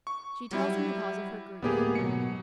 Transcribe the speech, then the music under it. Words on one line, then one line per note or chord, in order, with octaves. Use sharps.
She tells him the cause of her grief.
C#6
F#3 G3 E4
D1 A2 A#3 B3 G4 G#4
G#2 B2 F#3 C#7